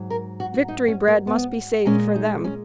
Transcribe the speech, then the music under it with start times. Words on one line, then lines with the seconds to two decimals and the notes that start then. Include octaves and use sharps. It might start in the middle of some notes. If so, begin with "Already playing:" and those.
Victory bread must be saved for them.
Already playing: G#2 F#3
0.10 A#4
0.40 F#4
0.54 F#4
0.68 D#4
0.88 C#4
1.08 A#3
1.27 B3
1.85 A#2 G#3 C#4
2.16 D#4
2.44 C#4